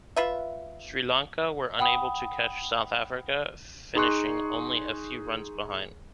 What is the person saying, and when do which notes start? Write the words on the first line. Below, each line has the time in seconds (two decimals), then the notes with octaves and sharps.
Sri Lanka were unable to catch South Africa, finishing only a few runs behind.
0.16 F4 B4 E5
1.79 F#5 G5 B5 D#6
3.95 D#4 G#4 C6 C#6 F#6